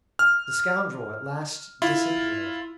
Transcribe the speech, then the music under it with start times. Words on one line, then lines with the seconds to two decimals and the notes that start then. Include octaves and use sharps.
The scoundrel at last disappeared.
0.19 F6
1.82 E4 F4